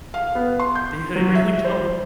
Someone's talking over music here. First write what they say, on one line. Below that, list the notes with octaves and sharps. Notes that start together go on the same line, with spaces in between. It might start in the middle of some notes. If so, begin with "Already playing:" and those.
Yeah, they really don't.
F5
B3
C6
G6
F#3
E5
C5